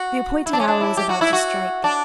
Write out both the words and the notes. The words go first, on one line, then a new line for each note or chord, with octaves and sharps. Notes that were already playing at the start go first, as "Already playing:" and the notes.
The appointed hour was about to strike.
Already playing: F#4
E4
D4
C#4
D4
E4
G4
F#4
E4
F#4
D4